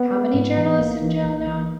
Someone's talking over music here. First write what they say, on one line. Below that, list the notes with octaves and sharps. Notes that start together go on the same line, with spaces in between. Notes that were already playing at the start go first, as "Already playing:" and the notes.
How many journalists in jail now?
Already playing: B3
G#3
G#2
E3
A#1 A#3
E3
A#1
E3